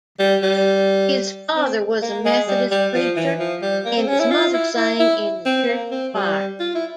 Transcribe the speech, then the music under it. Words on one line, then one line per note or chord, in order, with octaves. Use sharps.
His father was a Methodist preacher and his mother sang in the church choir.
G3
G3
C4
A#3
G#3
G3
G3
F3
E3
F3
G3
A#3
C4
C#4
E4
F4
E4
E4
E4
C4
A#3
C4
G3
F4
E4